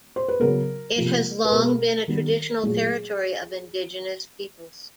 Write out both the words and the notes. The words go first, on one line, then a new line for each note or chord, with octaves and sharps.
It has long been a traditional territory of indigenous peoples.
C5
B4
C#3 F#3 B3 A#4
C3 F3 A#3
B4
B2 G#3 B3 A#4
D#3 G3 B3
A#2 F#3 A3 G#4